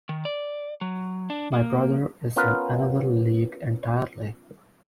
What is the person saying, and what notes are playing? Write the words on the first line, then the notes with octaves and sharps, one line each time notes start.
My brother is in another league entirely.
D#3
D5
F#3
D4
A#3
B3 C#4 F4 A#4 B4